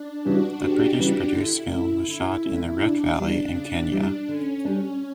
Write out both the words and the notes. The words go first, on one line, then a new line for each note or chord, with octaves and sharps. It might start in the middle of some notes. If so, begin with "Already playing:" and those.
The British-produced film was shot in the Rift Valley in Kenya.
Already playing: D4
C#3 E3 G3 C#4 F#4
D2 G4
C#3 E3 G3 C#4
D3 E4
A3 C#4
D3 E4
A3 C#4
C#3 D4
E3 G3
C#3
E3 G3
D3 C#4
G3 D4